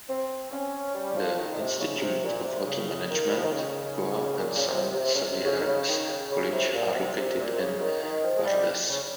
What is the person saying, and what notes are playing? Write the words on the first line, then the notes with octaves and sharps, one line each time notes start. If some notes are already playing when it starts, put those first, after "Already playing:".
The Institute of Hotel Management, Goa and Saint Xavier's College are located in Bardez.
C4
C#4
G3
F3
D#3
A#2
C3
C#3
C3
A#2
C3
C#3
D#3
G3
F3
D#3
C#3
C3
A#2
C#3
C3
C3
C#3
C3
C#3
D#3
C#3
D#3
C#3
C#3
C3
A#2
C3
C3
A#2
C3
C#3
D#3
D#3
F3
G#3
G3
C#3